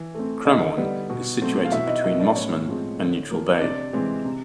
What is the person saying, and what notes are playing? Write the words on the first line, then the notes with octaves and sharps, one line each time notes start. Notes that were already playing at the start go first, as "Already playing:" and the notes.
Cremorne is situated between Mosman and Neutral Bay.
Already playing: E3
A3 C4
D3 D#4 D#5
G3 B3
B2
F#3 A3 C4
F5
B2 E4 E5
D#4 D#5
F#3 A#3 D#4 D#5
D4 D5
A2 C#4 C#5
F3 G#3 C4
D3
F3 A#3
D#5
C3 D4 D5
E3 G#3 C4
C3